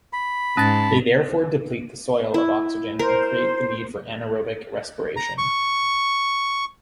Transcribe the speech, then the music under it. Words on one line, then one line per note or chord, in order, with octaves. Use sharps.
They therefore deplete the soil of oxygen and create the need for anaerobic respiration.
B5
G#2 C#4 A5 A6
E4
A#4 C5
A#5
C#6